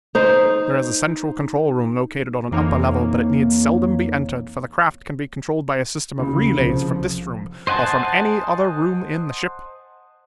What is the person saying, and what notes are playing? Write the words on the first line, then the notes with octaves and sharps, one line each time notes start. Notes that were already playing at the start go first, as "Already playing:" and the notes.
There is a central control room located on an upper level, but it need seldom be entered, for the craft can be controlled by a system of relays from this room or from any other room in the ship.
D#4 C5
F2 E3 A#3 D#4 C#5
D#2 C#3
C2 F3
C5 D#5 F#5 G#5 A5